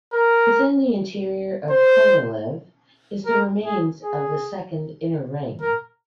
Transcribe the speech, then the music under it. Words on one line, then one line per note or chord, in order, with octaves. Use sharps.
Within the interior of Korolev is the remains of a second, inner ring.
A#4
C5
A#4
G#4
G#4
A#4